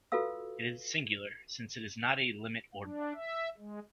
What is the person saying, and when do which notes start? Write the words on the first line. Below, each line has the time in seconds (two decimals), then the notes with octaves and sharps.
It is singular, since it is not a limit ordinal.
0.12 F4 F#4 A4 B4 F5 E6
2.83 D4
3.15 E5
3.58 G#3